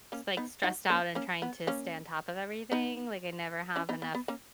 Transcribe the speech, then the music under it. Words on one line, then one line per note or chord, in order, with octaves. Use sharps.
s like, stressed out and trying to stay on top of everything. Like, I never have enough
A#3 C#4
B3 D#4
D#4 F#4
A#3 C#4
A#3 C#4
B3
A#3 C#4
B3 D#4
C#4 E4
B3 D#4
B3
B3
A#3 C#4